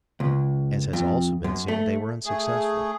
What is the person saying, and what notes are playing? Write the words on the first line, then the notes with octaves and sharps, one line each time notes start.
As has also been seen, they were unsuccessful.
C#2
F2
F#2
A3
A3 G#4